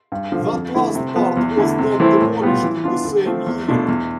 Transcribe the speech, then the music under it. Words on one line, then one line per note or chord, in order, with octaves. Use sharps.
That last part was then demolished in the same year.
G2
D3 F3
F2
D3 A3 E4
C3
F3 B3
E2
D3 A3 E4
C3
E3 A3 C4 E4
A2
G3 B3 F4
E3
B3 D4 F4
D3
F3 A3 C4
E2
B2 A3 D4 F4
E2